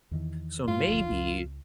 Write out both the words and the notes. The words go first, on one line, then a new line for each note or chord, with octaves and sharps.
So maybe
E2 D#3 E3
G2 A3 F4
F#1 D2 F3
C#2